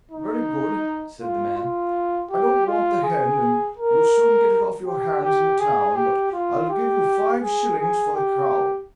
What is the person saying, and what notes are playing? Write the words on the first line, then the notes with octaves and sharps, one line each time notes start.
'Very good!' said the man; 'I don't want the hen, and you'll soon get it off your hands in the town, but I'll give you five shillings for the cow.'
D#4
F4
F4
G4
F4
G#4
A#4
G4
G4
G#4
G4
F4
G4
G#4
G#4
G4